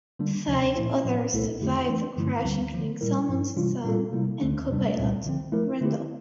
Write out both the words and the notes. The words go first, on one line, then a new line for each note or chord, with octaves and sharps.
Five others survived the crash including Salmon's son and copilot, Randall.
D3 G3 A#3 D4
D2 C3 F3
A#2 F3 A#3 E4
A2 F3 C4
C2 A#2 A3 E4 A4
F2 D3 A3 E4 G4
E3 A3 D4
G2 D3 F3 A3 E4
D2 D3 G3 C4
D3 F3 A#3
A#2 G3 A#3 E4 A#4
G2 F3 C4 E4
C3 E3 G3 D4 F4
A#2 G3 C4 F4 A4
C3 G3 A#3 E4
D2 D3 A3 D4
E2 C3 G3 D4
C2 A#2 G3 C4
D3 F3 C4
F3 A3 E4 A#4
D3 A3 E4 G4